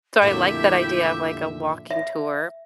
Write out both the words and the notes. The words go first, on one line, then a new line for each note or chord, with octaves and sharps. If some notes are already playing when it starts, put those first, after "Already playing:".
So I like that idea of, like, a walking tour
F2 A#2 D3 A3 E4 G4 E5
E5